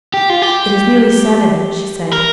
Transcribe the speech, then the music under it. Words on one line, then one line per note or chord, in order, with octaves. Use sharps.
'It is nearly seven,' she said.
G4
F4
G4
A#4